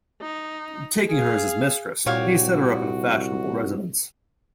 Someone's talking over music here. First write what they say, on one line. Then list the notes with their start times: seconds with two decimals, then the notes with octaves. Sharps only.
Taking her as his mistress, he set her up in a fashionable residence.
0.22 D#4
1.09 G#4 F5
2.06 C2 A#2 F#4 G4 C#5 F5